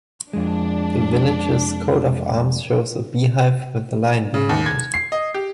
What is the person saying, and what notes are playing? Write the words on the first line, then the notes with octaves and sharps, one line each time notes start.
The village's coat of arms shows a beehive with a lion behind it.
F2 G#3 D4
C#3
D#2
G#6
C7
D#5
G4